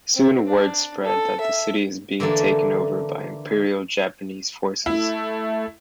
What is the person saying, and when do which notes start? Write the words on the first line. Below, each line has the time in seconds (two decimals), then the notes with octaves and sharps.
Soon, words spread that the city is being taken over by Imperial Japanese forces.
0.14 C4
0.48 D4
1.04 A4
1.40 E5
2.20 D3 E3 A#3 A4
4.86 A3 E4